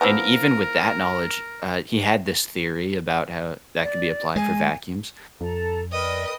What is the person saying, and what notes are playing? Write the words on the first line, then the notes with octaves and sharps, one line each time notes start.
and even with that knowledge, uh, he had this theory about how that could be applied for vacuums.
E3 F3 B3 A#4
D5
G#3 G#5
F2 A4 A#5
A#4 B4 D5 D#5 G5 D#6